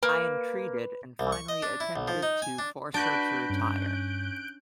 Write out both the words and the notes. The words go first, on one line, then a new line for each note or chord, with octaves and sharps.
I entreated, and finally attempted to force her to retire.
A#3 B4
C2
C#6
D#5
D4
E4
B1
F3
D#4
G#5
D4
D4 F#4 B4 F#6 G6 D7
G2 C#4